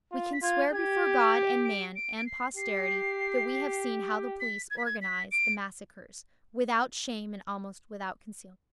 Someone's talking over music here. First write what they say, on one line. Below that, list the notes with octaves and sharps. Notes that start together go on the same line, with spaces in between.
We can swear before God and man and posterity that we have seen how the police organise the massacres, without shame and almost without concealment.
F4
B6
F4 G#6
G6
G4 G#6
D7
D7
D7
C7
G4 C7
B6
G#6
B6
G#6
B6
D7